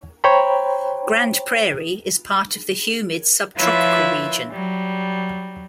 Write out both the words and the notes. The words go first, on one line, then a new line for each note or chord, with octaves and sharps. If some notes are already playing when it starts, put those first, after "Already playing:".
Grand Prairie is part of the humid subtropical region.
C5 C#5 G5 A#5 B5
F3 E4 F4 B4 C#5 E5
F#3 G3